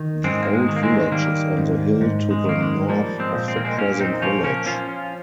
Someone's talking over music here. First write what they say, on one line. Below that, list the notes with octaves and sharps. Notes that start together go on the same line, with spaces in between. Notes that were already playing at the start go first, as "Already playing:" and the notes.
The old village is on the hill to the north of the present village.
Already playing: D#3
G#2 G#3 C4
A#3
G#3
D#3
A#3
G#3 C4
G#3
D#3 G3 A#3
G#2
G#2
G#3
D#3 A#3
G#3
F3 G3 A#3
G#3 C4
A#2
C4
A#3
G#3 C4
A#2 A#3 C#4
C4 D#4
F3 A#3 C#4
A#3 C#4
F3 C#4 F4